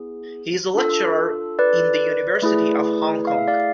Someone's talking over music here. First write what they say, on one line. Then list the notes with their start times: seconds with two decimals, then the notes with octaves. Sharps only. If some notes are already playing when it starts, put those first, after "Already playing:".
He is a lecturer in at the University of Hong Kong.
Already playing: B3 E4 G#4
0.75 D4 F4 A4
1.59 B4 D5
2.42 A3 E4 G#4
3.27 F5
3.38 E5
3.48 D5 F5